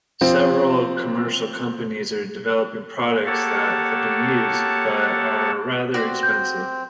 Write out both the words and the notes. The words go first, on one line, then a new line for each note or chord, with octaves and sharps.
Several commercial companies are developing products that have been used, but are rather expensive.
F3 C4
A#3 G4 A4 C#5 F#5 A5
C4 F#4 D5
G6